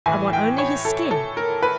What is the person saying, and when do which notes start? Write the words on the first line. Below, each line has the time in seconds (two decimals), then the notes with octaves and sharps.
I want only his skin.
0.06 A2 E3 G#5
0.33 G5
0.58 C#5
0.85 A4
1.11 A4
1.37 A#4
1.63 B4